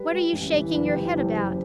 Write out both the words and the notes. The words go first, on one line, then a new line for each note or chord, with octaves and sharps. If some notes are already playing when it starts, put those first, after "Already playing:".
What are you shaking your head about?
Already playing: G3 B4
G3
A1
E3
F#1 B4
G4
E3
G4
F#1
F#1